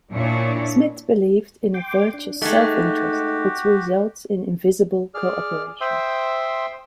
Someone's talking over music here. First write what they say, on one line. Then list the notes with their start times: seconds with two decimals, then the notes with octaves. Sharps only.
Smith believed in a virtuous self-interest which results in invisible co-operation.
0.12 A#2 D4 E4 C#5
1.74 G5 C6 D6
2.14 D4
2.42 G#3 A3 D#4 F#4 G4
5.14 G#4 D5 F6
5.81 C5 E5 G5 C6 D#6 E6